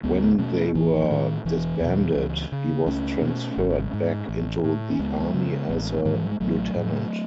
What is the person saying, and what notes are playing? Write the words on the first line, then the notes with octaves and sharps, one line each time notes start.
When they were disbanded, he was transferred back into the Army as a lieutenant.
C#2 G#3 B3
B2 A3 C#4
A1 E3
E3
A2 D#3
E1 E3
E2 B2
C#2
C#3
C#2 A3 C#4
B2
G#1
G#2
A1
A2
C#4
C#2 G#3 B3
C#3
A1
G#2 D#3
E3
F#3
G#3
A1 F#3 A3
A2